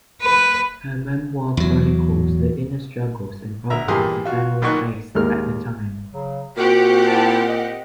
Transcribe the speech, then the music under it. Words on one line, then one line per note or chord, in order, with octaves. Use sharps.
Her memoir chronicles the inner struggles and problems the family faced at the time.
B4
E2 F#3
D2 E5 A#5
E2 A#2 G4 G#4 C6 D#6
F4 F#4
B1 A#2 D#3 C#6 F#6
D#2 G#3 A#4 F6
C#3 F#3
A#2 C4 F#4 G4 F#5
E4 A5
D#5